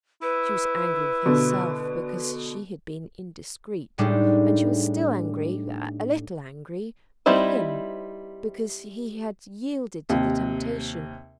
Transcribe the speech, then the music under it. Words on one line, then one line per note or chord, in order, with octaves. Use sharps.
She was angry with herself because she had been indiscreet, and she was still angry,--a little angry with him,--because he had yielded to the temptation.
E4 B4
B2 D3
A2 G3 G#3 D4 D#4
G3 C4 D#4 E4 C5
D#2 C3